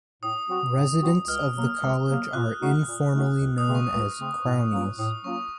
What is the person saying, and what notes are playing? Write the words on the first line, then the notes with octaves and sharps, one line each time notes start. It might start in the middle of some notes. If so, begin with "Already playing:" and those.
Residents of the college are informally known as Crownies.
A2 D#6
F#3 C4 F#4
A2
F#3 C4 F#4
C#2 F6
C3 F#3 A#3
C#2
C3 F#3 A#3
A#2 F#6
A3 D#4 F#4
A#2
A3 D#4 F#4
C#2
D#6
C#3 A3 C4
C#6
C#2 C#6
C#3 A3 C4
A2
F#3 A#3 C#4 F4
A2 D#6
F#3 A#3 C#4 F4 C#6